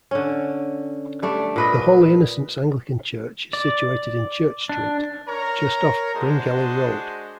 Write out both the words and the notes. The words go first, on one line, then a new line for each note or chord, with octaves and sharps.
The Holy Innocents Anglican Church is situated in Church Street, just off Bringelly Road.
D3 C#4
G3 A3 D4
A#2 B4 D#5
D5
D4
A#4 C#5 A#5
G#3 D4 F#4 G#4 C5 A5